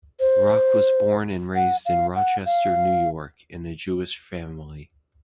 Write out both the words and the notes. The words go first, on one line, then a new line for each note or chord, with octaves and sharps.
Rock was born and raised in Rochester, New York, in a Jewish family.
C5
F#5
F5
F#5
F5